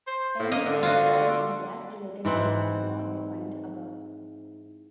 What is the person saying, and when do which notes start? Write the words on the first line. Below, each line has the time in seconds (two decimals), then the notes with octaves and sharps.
Any other oil and gas related business not defined above.
0.07 C5
0.39 A2
0.52 A#3 D#5
0.66 D3
0.83 F4 F#4
2.25 G#2 E3 C4 F#5